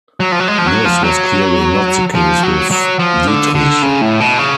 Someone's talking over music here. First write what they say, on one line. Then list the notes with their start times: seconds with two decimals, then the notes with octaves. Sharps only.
This was clearly not the case with Dietrich.
0.20 F#3
0.32 F3
0.40 F#3
0.48 G#3
0.58 F3
0.67 F#3
0.85 F3
1.04 F#3
2.15 F3
2.43 F#3
2.71 F#3
2.99 F3
3.27 D3
3.55 D3
3.82 C#3
4.01 A2
4.20 B2
4.38 C#3